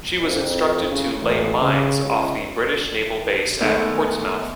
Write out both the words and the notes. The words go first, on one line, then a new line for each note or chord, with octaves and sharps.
She was instructed to lay mines off the British Naval Base at Portsmouth.
F2
C#3
A1
C#3
C#2
D#3 G#3 A3 B3 A4